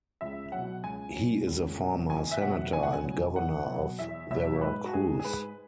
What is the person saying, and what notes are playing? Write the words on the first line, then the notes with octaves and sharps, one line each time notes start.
He is a former senator and governor of Veracruz.
C#2 E5
B2 F#3 F#5
C#2 G#5
B2 F#3
C#2
B2 F#3
E2 G#5
E5
B2 F#3 F#5
E2 G#5
F#5
G#5
B2 F#3
E2 F#5
B2 F#3
E2 E5
B2 F#3 E5
G#2 B4
F#4
G#3 G#4
G#4
G#2 B4